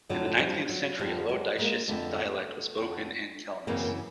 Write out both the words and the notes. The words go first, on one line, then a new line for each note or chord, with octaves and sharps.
In the nineteenth century a Low Dietsch dialect was spoken in Kelmis.
F2 D3 F#3
F3 G3
F#3
F2 D3 F3 G3
F#3 G#3
G#3 A#3
F2 D3 A3 B3
F2 D3
F#2 C#3 E3 A#3 C4